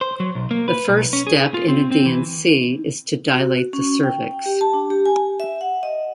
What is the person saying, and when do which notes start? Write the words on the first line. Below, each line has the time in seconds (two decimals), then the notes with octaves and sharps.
The first step in a D and C is to dilate the cervix.
0.01 C5
0.20 F#3
0.35 B1
0.51 A#3
0.68 B4
0.88 B1
1.13 C#4
1.27 G#4
1.54 F4
1.68 C4
1.91 C4
2.05 E3
3.34 F#4
3.73 C#4
4.03 G5
4.31 G5
4.46 G4
4.61 A5
4.74 D4
4.90 G4
5.06 G#5
5.40 E5
5.61 F#5
5.83 D#5